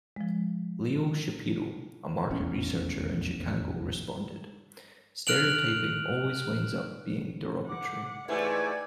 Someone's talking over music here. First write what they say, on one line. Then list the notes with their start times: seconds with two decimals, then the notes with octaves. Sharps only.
Leo Shapiro, a market researcher in Chicago, responded, Stereotyping always winds up being derogatory.
0.16 F3 G#3
2.30 F1 A#1 E2 C#4
5.27 F6 F#6 D7 F7 F#7
7.67 F#5 D6
8.28 G#2 E3 A3 G4 D5 G#5 G#6